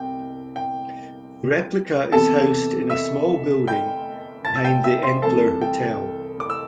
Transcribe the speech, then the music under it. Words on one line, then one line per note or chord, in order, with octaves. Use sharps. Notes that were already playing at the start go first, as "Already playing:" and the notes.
The replica is housed in a small building behind the Entler Hotel.
Already playing: C2 C3 G5
G5
E2 C3 E3 A4 A5
E5 E6
G5 G6
A5 A6
E6
G5 G6
E5 E6
C5 C6
C2 C3 E3 A4 A5
G5
D6
E6